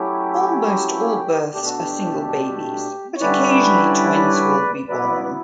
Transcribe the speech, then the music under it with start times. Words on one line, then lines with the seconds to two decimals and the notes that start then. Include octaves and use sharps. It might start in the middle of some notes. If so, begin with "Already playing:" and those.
Almost all births are single babies but occasionally twins will be born.
Already playing: F#3 A3 C#4 E4 G4
1.54 B2 A3 D4 G4
1.66 F#4
1.78 G4
3.16 C#5
3.21 D3 G3 C#4 E4 B4 D5
4.89 F#3 B3 E4 B4 D5
5.25 B4